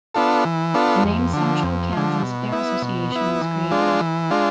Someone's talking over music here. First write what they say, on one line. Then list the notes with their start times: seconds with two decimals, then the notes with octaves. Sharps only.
The name "Central Kansas Fair Association" was created.
0.14 B3 D4 F4 A4
0.45 E3
0.74 B3 D4 F4 A4
1.04 F2
1.33 D3 F3
1.63 F2
1.93 D3 F3
2.23 B2
2.52 B3 E4
2.82 B2
3.12 B3 E4
3.42 E3
3.71 G#3 D4 F4
4.01 E3
4.31 G#3 D4 F4